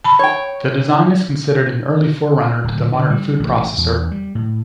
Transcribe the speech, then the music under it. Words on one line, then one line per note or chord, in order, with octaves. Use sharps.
The design is considered an early forerunner to the modern food processor.
A5 B5
C#5 G5
D1
D3
G3
A1
E2
G3
A2